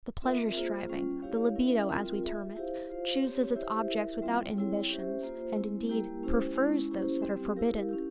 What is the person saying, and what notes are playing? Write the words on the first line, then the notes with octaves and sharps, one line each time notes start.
The pleasure-striving--the libido, as we term it--chooses its objects without inhibitions, and indeed, prefers those that are forbidden.
C4 F4 A#4 E5
A#3 F4 G#4 C5
G3 C#4 F4
E4 G4 C#5 F5
C#4 E4 A#4 E5
G3 C4 F4 A#4
F4 G#4 E5
E4 G4 C5 F5
F4 C5 F5
C4 G4 C#5
E4 G4 C5 E5
E4 A#4 E5
G3 C4 F4
G3 C4 E4 G#4 C#5
C#4 G4 C5 E5
A#3 F4 C5
G#3 C4 E4
G3 A#3 E4 G4 A#4
G#3 C#4 E4 G4 C5
G#3 C#4 E4
A#3 C#4 E4 G4 C5
G3 C4 G4
E4 G4 A#4 F5
C#4 E4 G4